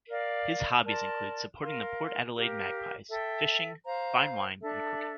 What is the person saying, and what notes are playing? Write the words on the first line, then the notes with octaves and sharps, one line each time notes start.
His hobbies include supporting the Port Adelaide Magpies, fishing, fine wine, and cooking.
A#4 D5 F5
A#4 D5 A5 C6
A#4 F5 C6
G4 A#4 F5
A4 E5 G5
C5 F5 A#5
D4 A4 E5